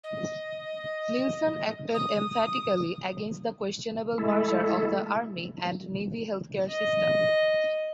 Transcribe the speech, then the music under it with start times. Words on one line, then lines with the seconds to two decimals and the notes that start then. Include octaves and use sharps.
Nilson acted emphatically against the questionable merger of the army and navy healthcare system.
0.04 D#5
1.94 D#6
4.18 G#3 A3 E4 A4
6.70 D#5